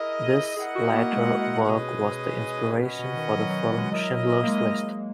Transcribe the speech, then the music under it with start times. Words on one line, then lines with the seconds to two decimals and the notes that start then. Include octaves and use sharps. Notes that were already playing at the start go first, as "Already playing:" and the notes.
This latter work was the inspiration for the film "Schindler's List".
Already playing: E4 G#4 A#4 D#5
0.57 E4 G#4 A#4 D#5 F#5
0.75 F#4
0.93 A#3
1.13 G#3
1.68 B2 G#3 C#4 G#4 B4 D#5
2.80 A#2 C#4 F#4 B4 D#5 F#5
2.99 B2
3.17 D#3
3.36 F#3
3.50 F#3
3.64 F#3
3.77 G#3
3.92 F#3 E4 A#4 D#5
4.43 A#3
4.47 G#3